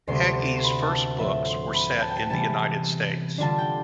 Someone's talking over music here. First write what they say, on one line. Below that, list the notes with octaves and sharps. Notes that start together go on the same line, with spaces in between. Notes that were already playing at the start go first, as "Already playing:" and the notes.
Hegi's first books were set in the United States.
D2 C3 G3 B3 D4 C6
C6
B5
A5
A2 F3 C4 E5
C6
B5
A5
G5
A5
C3 E3 G3 B3 A5
D3 G3 D4 F4 A5
G5